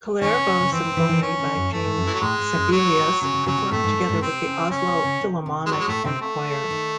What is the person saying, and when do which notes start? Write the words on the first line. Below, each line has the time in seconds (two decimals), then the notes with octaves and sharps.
"Kullervo-symfoni" by Jean Sibelius performed together with the Oslo Philomonic and choir.
0.22 D#3 C#4
0.34 C#3
0.47 C#3
0.60 C#3
0.72 E3 C4
0.85 E3
0.92 D#3
0.97 E3
1.09 E3
1.21 D#3 C#4
1.39 C#3
1.55 F#2
1.72 F#2 A3
1.84 G#2
1.97 F#2
2.06 E3
2.09 A2
2.14 F#3
2.21 A2 G#3
2.38 G#2
2.55 F#2
2.71 G#2 F#3
2.97 A2
3.21 C#3 F#3
3.34 C#3
3.46 C#3 F#3
3.58 C3
3.71 A2 A3
3.84 G#2
3.96 F#2
4.09 G#2
4.21 C3 C4
4.46 C#3
4.71 C#3 C#4
4.88 C3
5.04 C#3
5.21 C3
5.46 C3
5.66 G#3
5.71 G#2 F#3
5.80 G#3
5.88 A2 A3
6.05 C3 C4
6.21 A3
6.71 D#3